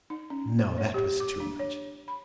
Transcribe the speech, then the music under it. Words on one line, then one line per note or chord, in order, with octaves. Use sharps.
No, that was too much!
D#4
C#4
C5
C#5
G4
D6
D4
C#5
B5